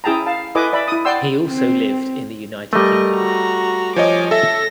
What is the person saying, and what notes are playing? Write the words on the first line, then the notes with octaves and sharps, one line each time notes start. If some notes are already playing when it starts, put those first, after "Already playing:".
He also lived in the United Kingdom.
C#4 E4 G#4 G5 A5 A#5
F5 A5
E4 A4 B4 D#5 G#5 D6
D5 E5 B5
E4 D#6
D5 F#5 G5 C6 E6
C4
G3 A3 A#4 D#5
F#4 A#5
F3 C#5 D#5 G#5 D6
A4 E5 A#6